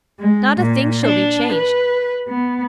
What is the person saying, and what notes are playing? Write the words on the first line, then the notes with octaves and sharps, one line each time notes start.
Not a thing shall be changed.
G#3
A#2
D4
B4
B3